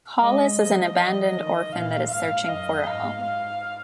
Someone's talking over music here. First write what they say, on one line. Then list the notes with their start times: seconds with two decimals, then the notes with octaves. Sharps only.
Hollis is an abandoned orphan that is searching for a home.
0.22 G#3 D#5
0.59 F3 D#5
0.97 D#5
1.35 D#3
1.72 A#2 F5
2.10 G#2 F5
2.48 F#2 D#5
2.86 G#2 F5
3.24 F5